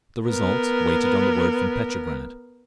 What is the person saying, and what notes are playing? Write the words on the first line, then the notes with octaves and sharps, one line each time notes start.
The result waited on the word from Petrograd....
B3 A#4